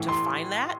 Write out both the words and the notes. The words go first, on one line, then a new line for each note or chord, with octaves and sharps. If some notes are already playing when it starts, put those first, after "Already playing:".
to find that.
Already playing: A2 E3
C6